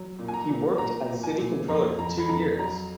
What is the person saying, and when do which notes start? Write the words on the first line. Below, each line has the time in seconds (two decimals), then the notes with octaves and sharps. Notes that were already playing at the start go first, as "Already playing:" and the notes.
He worked as City Controller for two years.
Already playing: F#3
0.19 A#2
0.28 G#5
0.34 A#5
0.49 A#2
0.78 A#2 A#5
1.09 A#2
1.23 G#5
1.38 A#2
1.68 F2 A#5
1.99 F2 A#5
2.18 B5
2.29 F2 A#5
2.59 F#3 A#5